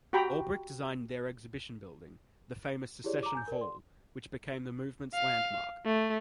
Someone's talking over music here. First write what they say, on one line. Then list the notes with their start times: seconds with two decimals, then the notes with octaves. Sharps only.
Olbrich designed their exhibition building, the famous Secession Hall, which became the movement's landmark.
0.13 F#4 G4 G5 A#5 B5
3.04 E4 G4 G#4 C#5 D5
3.23 A#5 D6
3.35 G#5 G6
3.48 A#4 D5
3.61 C6
5.14 F5
5.86 A3